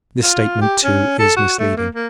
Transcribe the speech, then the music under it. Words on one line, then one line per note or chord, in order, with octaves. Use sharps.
This statement, too, is misleading.
F4
G4
C#4
A4
F#4
A3
A#3
A#3